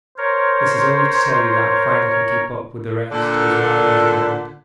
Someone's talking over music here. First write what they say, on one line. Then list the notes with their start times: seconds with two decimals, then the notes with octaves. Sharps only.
This is only to tell you that I find I can keep up with the rest as well as of old.'
0.18 A#4 C5 C#5
3.12 A#2 D3